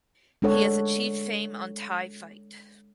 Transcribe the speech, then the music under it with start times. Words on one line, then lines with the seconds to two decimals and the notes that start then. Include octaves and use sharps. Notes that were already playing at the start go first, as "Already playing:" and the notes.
He has achieved fame on Thai Fight.
0.42 G#3 D4 A4 C#5 F#5